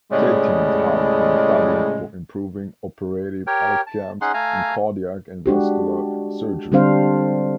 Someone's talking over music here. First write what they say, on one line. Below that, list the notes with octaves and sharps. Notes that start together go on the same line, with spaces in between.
Statins have been studied for improving operative outcomes in cardiac and vascular surgery.
A2 C#3 G3 G#3
G4 A#4 C#5 G5
A5
C#4 D#4 G#4 F#5 C6
A3 F5 G#5 A#5
G#3 D4 F#4 G4
D3 G3 C4 D4 C5 F5